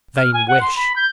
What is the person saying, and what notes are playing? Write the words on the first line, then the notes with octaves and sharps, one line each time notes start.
Vain wish!
F6
G#5
F#5
C6
B5
G6